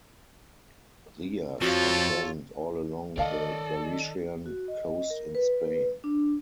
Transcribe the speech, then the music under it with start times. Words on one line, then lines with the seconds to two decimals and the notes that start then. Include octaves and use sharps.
Rias are present all along the Galician coast in Spain.
1.61 F2 F3 F4 F#4 A4 C#5
3.18 D#3 A4 A#4 D5 D#5 F5 A5
4.46 F#4
4.68 D#5
5.10 A#4
5.35 B4
6.04 D4